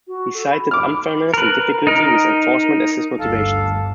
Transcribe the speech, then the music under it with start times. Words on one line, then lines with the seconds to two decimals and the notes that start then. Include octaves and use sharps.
He cited unfairness and difficulty with enforcement as his motivations.
0.07 F#4
0.34 A4
0.49 B5
0.71 D6 F6
1.34 A#4 B4
1.87 D#4 A#4
3.19 G1 D2 A4 F5